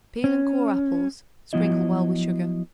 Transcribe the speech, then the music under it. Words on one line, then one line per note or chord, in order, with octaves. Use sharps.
Peel and core apples; sprinkle well with sugar.
C#4
F3 F#3 B3 E4 D#5